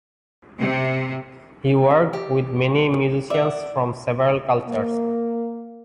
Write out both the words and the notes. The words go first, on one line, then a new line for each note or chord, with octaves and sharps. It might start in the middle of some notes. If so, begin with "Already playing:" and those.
He worked with many musicians from several cultures.
C3
G4
D5 E5 F#5
A#3